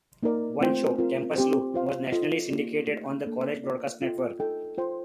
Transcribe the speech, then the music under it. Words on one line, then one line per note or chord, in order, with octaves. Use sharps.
One show, "Campus Loop", was nationally syndicated on the College Broadcast network.
A#3 D#4 A#4 D5
A3 C4 F4 C5 G5
C4 F4 A#4
C4 G4 C5
F4 C5 F5
F4 A4 D#5
A#3 D#4 G4 D5
A3 D#4 G4
A#3 D4 A4
F4 A#4 D5
F4 A4 D#5 G5
D#4 A4 D#5 G5
F4 C5 G5